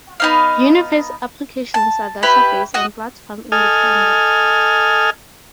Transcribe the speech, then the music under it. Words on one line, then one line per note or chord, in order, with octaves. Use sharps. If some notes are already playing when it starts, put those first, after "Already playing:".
Uniface applications are database- and platform-independent.
B3 D#4 F5
A5
E4 G4 B4
F#4 D#5
A4 D#5 G#5 F6